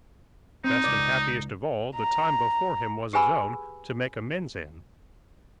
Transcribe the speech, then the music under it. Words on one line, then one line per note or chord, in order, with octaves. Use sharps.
Best and happiest of all, the Time before him was his own, to make amends in!
C4 D#4
C#2 G#2 D5
A#5
G4 G#4 B4 G#5 B5 E6